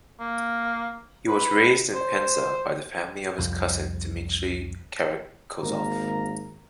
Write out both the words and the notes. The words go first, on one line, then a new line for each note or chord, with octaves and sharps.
He was raised in Penza by the family of his cousin Dmitry Karakozov.
A#3
B4
C5
C2 F2
G#1 A#3 A#4 A#5